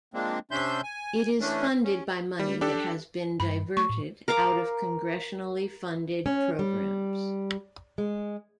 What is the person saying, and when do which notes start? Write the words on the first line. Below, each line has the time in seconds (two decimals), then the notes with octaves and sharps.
It is funded by money that has been diverted out of congressionally funded programs.
0.14 F3 G#3 A#3 C4 D4
0.51 C3 C#4 D4 E5 C6 G6
0.83 G#5
1.40 E3 A3 C#4 D4
1.84 C#4
2.39 G3
2.61 D4 G4 A4
3.40 G2 B5
3.77 A3 C#6
3.89 A2
4.28 A#4 F5 A#5 D6
6.26 C#4
6.59 G3
7.98 G#3